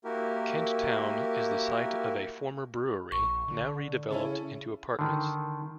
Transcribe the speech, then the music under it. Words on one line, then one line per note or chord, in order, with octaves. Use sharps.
Kent Town is the site of a former brewery, now redeveloped into apartments.
A#3 E4 F#4 G4 A#4
A#1 C#6
D3
C#3 C#4 E4 A4
D3 D#3